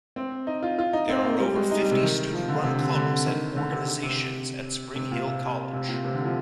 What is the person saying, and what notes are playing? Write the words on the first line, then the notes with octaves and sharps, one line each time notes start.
There are over fifty student-run clubs and organizations at Spring Hill College.
C4
D#4
F4
F4
D#4
C4
A#3
G3
G#3
D#4
G3
C3
D#3
F3
D3
C3
D3
D3
D#3
D3
C3
C3
C3
A#2
C3
C3
A#2
C3
D3
F3